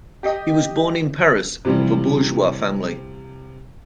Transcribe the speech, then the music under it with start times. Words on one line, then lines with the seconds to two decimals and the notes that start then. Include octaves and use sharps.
He was born in Paris, of a bourgeois family.
0.23 G4 D#5
1.65 C3 E3 F3 G3